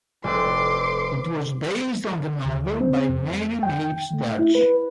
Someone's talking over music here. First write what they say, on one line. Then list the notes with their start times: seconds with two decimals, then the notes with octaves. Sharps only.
It was based on the novel by Mary Mapes Dodge.
0.24 F1 A4 B4 C6 D6
2.45 D2
2.81 C4
3.09 F2
3.63 G5
4.13 A3
4.39 E4
4.55 B4